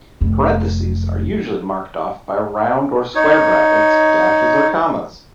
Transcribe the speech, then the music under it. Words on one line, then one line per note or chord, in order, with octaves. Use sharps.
Parentheses are usually marked off by round or square brackets, dashes, or commas.
F1 F2
D#4 C#5